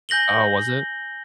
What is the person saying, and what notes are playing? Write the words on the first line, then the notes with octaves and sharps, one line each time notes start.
Oh, was it?
G#5 G6 A#6 F#7 G7